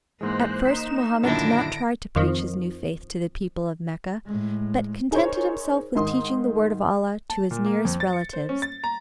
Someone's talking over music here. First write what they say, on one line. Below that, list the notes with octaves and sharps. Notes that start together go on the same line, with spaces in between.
At first Mohammed did not try to preach his new faith to the people of Mecca, but contented himself with teaching the word of Allah to his nearest relatives.
G#2 E3 G#3 A#3 C5 F#6
A#3 D#4 B6 C7 E7
F#2 A#2 D3 D#3 D4 E4 A#6 D7
F2 D#3 F3
A2 G#3
D#4 G#4 A#4 C5 C#5
G#2 D#3 C6 D#6
A5
A#2
A#3
F2
A6
C#7
C5
C#4
A6
A#5